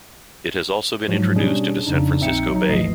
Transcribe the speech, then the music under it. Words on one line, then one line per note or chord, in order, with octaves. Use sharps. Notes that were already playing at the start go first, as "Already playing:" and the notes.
It has also been introduced into San Francisco Bay.
G#2 F3 F#3
B2 G3 C#4 D4 G#4
F2 C#3 D4 D#4
A#1 C4 D#4 E5 G5 C#7
F#3 D#4
G#1 D2 E3 F3 D#5 C7